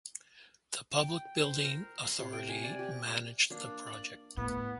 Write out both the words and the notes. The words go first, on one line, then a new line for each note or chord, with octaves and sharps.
The Public Building Authority managed the project.
G5
C5
A#4
C6
C3
G5
G#5
D5
G4
A#3 D4
D5
A2 B3